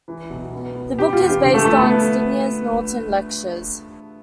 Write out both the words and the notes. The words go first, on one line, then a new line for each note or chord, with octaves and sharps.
The book is based on Steiner's Norton lectures.
E3
B1
B3
B3
E1 G4
F4
E2
G4
D3 G4
A3 A4
F3 A3 A4
B3 B4
A3